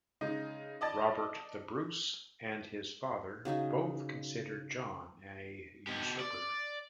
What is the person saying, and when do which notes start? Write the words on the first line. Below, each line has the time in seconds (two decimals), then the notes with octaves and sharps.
Robert the Bruce and his father both considered John a usurper.
0.21 C#3 G#3 D#4
0.81 D5 D#5 A5 A6
3.45 C#3 F#3 D#4 D#5
5.87 B2 G4
6.20 D5